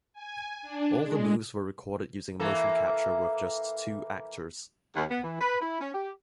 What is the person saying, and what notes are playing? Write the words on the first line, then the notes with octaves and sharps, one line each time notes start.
All the moves were recorded using motion capture with just two actors.
G#5
D4
G#3
E3 A#3 A4
D#2
B3
E3
B4
E4
C#4
G4